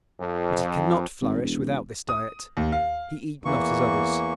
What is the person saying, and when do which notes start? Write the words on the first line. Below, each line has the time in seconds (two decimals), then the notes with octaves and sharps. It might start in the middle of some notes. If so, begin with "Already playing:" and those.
But he cannot flourish without this diet; he eat not as others.
0.20 F2
1.22 G#1
1.42 E1
2.09 D#6
2.57 D#2
2.72 F5
3.45 E2 E3 A#3 C#6